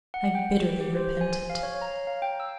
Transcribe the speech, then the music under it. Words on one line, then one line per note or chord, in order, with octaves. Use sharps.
I bitterly repent it.'
F#5
G5
G4
C5
G#5
F5
C#5
A#5
F5
G5
E6